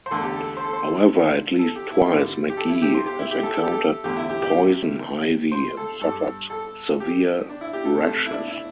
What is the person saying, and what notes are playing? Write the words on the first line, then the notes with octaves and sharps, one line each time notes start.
However, at least twice McGee has encountered poison ivy and suffered severe rashes.
C5
E2 D3 A3 A4
G4
A4
C5
A4
C5
A4
G4
E4
G2 D3 G3
G4
A4
E4
G4
C5
G4
E4
G4
A4
A4
G4
A4
E2 D3 A3 G4
E4
G4
G4
C5
A4
G2 G3 A4
A4
G4
D4
E4
G4
A4
C3 A3 A4
E4
D4
E4